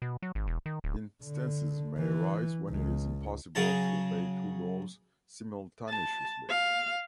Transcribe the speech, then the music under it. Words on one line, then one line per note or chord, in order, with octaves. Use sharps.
Instances may arise when it is impossible to obey two laws simultaneously.
B2
F#3
G#1
E1
D#3
D1
D3
E3
C#2
C#3 F#3 G#4 C#5 A5 A#5
A5
F5